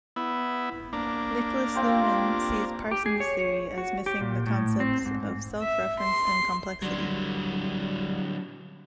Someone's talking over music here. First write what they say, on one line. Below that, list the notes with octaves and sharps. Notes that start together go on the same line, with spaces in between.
Niklas Luhmann sees Parsons’ theory as missing the concepts of self-reference and complexity.
B3 E4
A#3 D4
C4 F4 G4
G4
G#4
C#5
F#4
G4
A#2
A2
C4
G#2
E5
C6
D3 F#3 G3